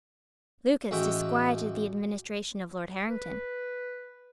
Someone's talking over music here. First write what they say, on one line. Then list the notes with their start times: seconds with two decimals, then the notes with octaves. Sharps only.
Lucas disquieted the administration of Lord Harrington.
0.91 A1 G#3 F#4 E5 G5
3.09 B4